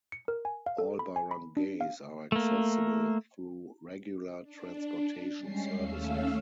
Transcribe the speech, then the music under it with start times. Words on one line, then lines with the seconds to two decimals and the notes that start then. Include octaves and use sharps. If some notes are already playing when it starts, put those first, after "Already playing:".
All barangays are accessible through regular transportation services.
0.12 C#7
0.28 A#4
0.45 G#5
0.66 F5
0.78 A4
0.99 B5
1.16 G#5
1.31 B5
1.57 D4
1.81 F5
2.32 A3 A#3
4.43 D4
5.37 G3 G#3 C#4 C7
5.75 D#2 A3 C#4 F5 E6